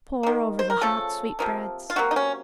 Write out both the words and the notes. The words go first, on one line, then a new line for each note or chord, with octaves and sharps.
Pour over the hot sweetbreads.
D#3 A#3
C5
A#4
C#3 F3 A3 A4
C3 F3 A#3
F4
C3 F#3 A#3 F#4
D#4
C#4